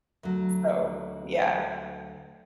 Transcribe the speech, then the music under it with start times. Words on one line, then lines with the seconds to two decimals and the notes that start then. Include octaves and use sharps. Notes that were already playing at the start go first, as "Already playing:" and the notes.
“So, yeah,
0.23 D2 F#3